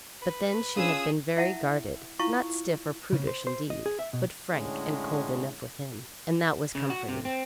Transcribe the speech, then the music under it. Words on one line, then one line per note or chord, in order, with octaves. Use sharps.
But then she had been very guarded; not stiff or prudish, indeed, but frank and cold enough with him, and that was comforting.
B4
C#4 D4 F4 G#4 D#6 E6
E4 E5 F#5 A5
E4 F4 F5 A5 C#6
C#3
C5
C5
D#5
G#4
E5
B2
A2 D3 G#3 C#4
C#3
F#4
C3
C4